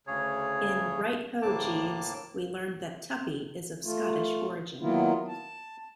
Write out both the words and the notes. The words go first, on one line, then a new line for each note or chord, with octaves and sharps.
In "Right Ho, Jeeves", we learn that Tuppy is of Scottish origin.
D2 C#3 G#4 C#5
D2 A2 A#3 A5 D6
A3 F4
D#3 F#3 A#3 B3 E4 F4
A5